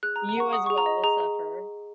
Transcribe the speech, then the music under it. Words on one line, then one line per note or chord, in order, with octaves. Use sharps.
You as well will suffer.
G#4 F#6
A#5
G#4
A#5
F#5 C#6
F#5 D#6
C#6
G#4
A#5
D#5
G#4 A#5
G#4